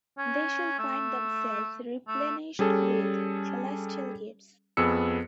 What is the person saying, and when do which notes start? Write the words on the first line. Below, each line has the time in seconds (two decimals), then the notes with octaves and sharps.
They shall find themselves replenished with celestial gifts.
0.18 C#4
0.79 A3
2.07 A3
2.59 G3 C#4 G#4 A4
4.77 F2 B3 G#4 E6 C#7